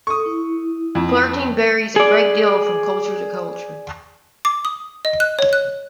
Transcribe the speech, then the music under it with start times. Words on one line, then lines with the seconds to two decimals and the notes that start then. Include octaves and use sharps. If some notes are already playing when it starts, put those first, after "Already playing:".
Flirting varies a great deal from culture to culture.
0.07 A4 C#6 D#6
0.26 E4
0.95 F2
1.96 G#4 D5
4.45 D6
4.65 D#6
5.05 D#5
5.20 F#6
5.39 C#5
5.53 F#6